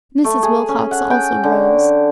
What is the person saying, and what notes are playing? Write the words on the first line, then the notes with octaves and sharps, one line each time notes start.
Mrs. Wilcox also rose.
A3
G#4
C#4
F#5
G5
D3